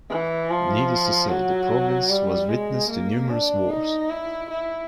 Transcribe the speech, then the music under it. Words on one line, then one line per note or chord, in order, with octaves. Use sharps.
Needless to say, the province was witness to numerous wars.
E3
F3
F#3
G3
G#3
A#3
D4
D#4
E4
E4